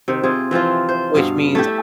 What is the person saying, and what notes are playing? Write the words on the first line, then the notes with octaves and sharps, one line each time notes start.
Which means,
C3 D#3
C3 F4 G#4
E3 F3 C4 F4
C5
G2 B2 F5
A3 E4 G4